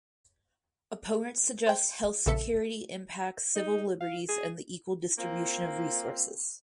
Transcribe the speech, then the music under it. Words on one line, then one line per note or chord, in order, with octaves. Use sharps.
Opponents suggest health security impacts civil liberties and the equal distribution of resources.
C5 G5
A#1 C#3 A4 E5 C#7
D#4
F5
G#4
A#3 C4 F4